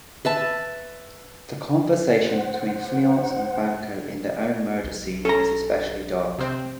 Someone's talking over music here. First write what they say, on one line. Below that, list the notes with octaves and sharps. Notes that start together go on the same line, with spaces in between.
The conversation between Fleance and Banquo in their own murder scene is especially dark.
B4 E5 A5
C5 F#5
B1
C#4 A4 A#5
C3 C4